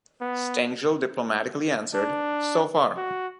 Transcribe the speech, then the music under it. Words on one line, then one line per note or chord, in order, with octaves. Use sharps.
Stengel diplomatically answered, So far!
B3
D4
F#4